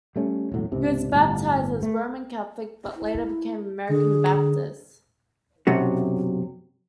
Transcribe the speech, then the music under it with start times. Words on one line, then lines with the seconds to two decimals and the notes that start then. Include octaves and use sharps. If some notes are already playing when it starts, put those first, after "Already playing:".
He was baptized as a Roman Catholic, but later became an American Baptist.
0.16 G3 A3 C#4
0.52 E1 C2 A2 F#3
0.72 C#2 G#2 C3
1.13 G1 A2 G3
1.83 A3
2.96 E4
3.89 D3 G#4
5.67 B1 F#2 C3 F#3